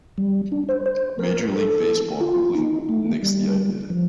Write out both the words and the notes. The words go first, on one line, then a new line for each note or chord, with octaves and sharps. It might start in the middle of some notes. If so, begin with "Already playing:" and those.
Major League Baseball quickly nixed the idea.
G3
D4
C5
C5
A#4
A4
F4
D#4
A3
G3
F3